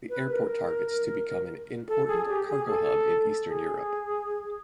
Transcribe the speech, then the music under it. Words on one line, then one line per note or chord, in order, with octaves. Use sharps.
The airport targets to become an important cargo hub in Eastern Europe.
B4
A#4
A4
G#4
G4
G#4
A4
G#4